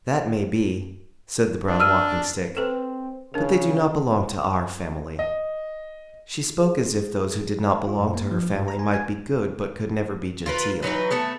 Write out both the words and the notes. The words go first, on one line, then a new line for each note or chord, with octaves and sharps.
"That may be," said the Brown Walking-Stick, "but they do not belong to our family." She spoke as if those who did not belong to her family might be good but could never be genteel.
D4
E6 F6 D#7
C4 A4 B4
C#3 D4 A#4
D#5
G#4
F4
F#2
A#3
F3
G#2
A#5
G#5
G#5
F4 A#4 B4
E3 F#3 D#4 B4
A3 B3 A4